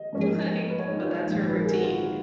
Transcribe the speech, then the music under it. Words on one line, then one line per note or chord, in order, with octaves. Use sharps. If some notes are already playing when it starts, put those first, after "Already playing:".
Like" but that's her routine.
Already playing: D#5
G#2 F3 A#3 C#4
B4
C#5
D#4
F4
D#4
A#1 G#2 D#3
B4
A#4
G#4
F#4
F4